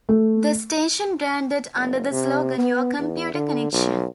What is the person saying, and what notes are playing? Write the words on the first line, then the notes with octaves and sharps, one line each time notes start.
The station branded under the slogan "Your Computer Connection".
A3
F#1
C3
B3
E2
D3
B1